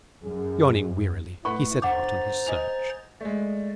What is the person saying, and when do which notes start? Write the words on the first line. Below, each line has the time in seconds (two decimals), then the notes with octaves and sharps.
Yawning wearily he set out on his search.
0.24 F#2 G#4
1.45 A2 A3 B4 F#5 B5 C#6
1.82 G1 C5 F#5 A#5 D6 A6
2.46 D#5 G#5 F7
3.21 G#3 A3 D5